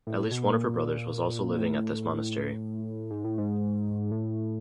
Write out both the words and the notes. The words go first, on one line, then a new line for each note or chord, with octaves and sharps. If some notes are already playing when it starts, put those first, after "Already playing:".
At least one of her brothers was also living at this monastery.
A2
A2
B2
A#2
A2
G#2
A2
G#2
A2